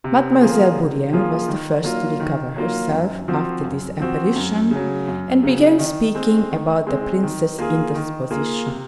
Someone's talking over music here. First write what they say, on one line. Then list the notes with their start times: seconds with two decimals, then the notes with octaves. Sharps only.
Mademoiselle Bourienne was the first to recover herself after this apparition and began speaking about the prince's indisposition.
0.04 C3
0.41 F3 A#3 F4 G#4
0.77 C3
1.13 F3 A#3 F4 G#4
1.48 D#3
1.84 F#3 A#3 F4
2.20 D#3
2.56 F#3 A#3 F4
2.91 F#2
3.28 F3 C4 F#4
3.64 F#2
4.00 F3 C4 F#4
4.36 F#2
4.71 C#3 F#3
5.07 F#2
5.43 C#3 F#3
5.79 D#3
6.15 G#3 C4
6.51 D#3
6.87 G#3 C4
7.23 D#3
7.58 A#3 F4 G#4
7.95 D#3
8.30 A#3 F4 G#4
8.66 C3